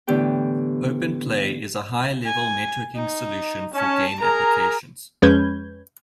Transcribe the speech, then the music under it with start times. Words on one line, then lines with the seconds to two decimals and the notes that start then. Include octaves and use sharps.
OpenPlay is a high-level networking solution for game applications.
0.07 A2 D3 E3 B3 G4 G5
2.26 G#5
2.96 D#4
3.75 C#4 A5
4.21 G#4 A#4 A#5
5.22 F2 G#3 C#4 B4 G6 G#6